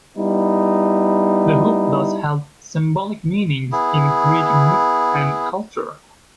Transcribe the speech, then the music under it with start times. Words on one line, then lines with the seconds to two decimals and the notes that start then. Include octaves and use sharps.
The hoop thus held symbolic meanings in Greek myth and culture.
0.17 G3 B3 D#4 E4
3.72 B3 E4 G#4